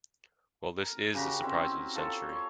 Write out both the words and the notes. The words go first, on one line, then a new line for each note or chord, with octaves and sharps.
Well, this "is" the surprise of the century.
A#4
C#3 F#4 G4 A#5
C4 E4 A#4
E4
F3 A4 C#5
C#5